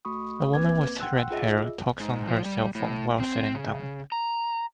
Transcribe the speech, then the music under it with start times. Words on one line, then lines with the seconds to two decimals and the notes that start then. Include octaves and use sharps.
A woman with redhair talks on her cellphone while sitting down.
0.05 A3 F#4 B5 C#6 D#6
0.54 A#3 C4 B4 D6 G#6
1.00 F#5 G5 C6 E6 F#6
1.30 F4 G#4 D#5 E5 E6
2.00 G#2
2.27 F3
2.45 G3
2.75 A2
3.20 C4
3.55 C#3
4.12 A#5